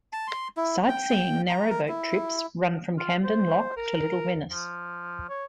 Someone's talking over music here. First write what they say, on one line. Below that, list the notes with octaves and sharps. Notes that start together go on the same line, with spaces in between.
Sightseeing narrow-boat trips run from Camden Lock to Little Venice.
A5
C6
E4
G5
A#5
A#4
E4
F4
C5
A#4
F3
C#5